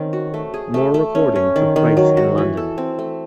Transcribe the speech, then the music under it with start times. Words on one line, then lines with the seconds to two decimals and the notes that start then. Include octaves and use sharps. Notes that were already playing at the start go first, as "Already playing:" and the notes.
More recording took place in London.
Already playing: D#3 C4 C#4
0.13 F#4
0.34 A3
0.54 G#4
0.74 A3
0.94 A3
1.15 C#4
1.35 C#4
1.56 D#3
1.76 D#3
1.97 F#3
2.17 F#4
2.38 E3
2.57 A4
2.78 C4
2.99 A3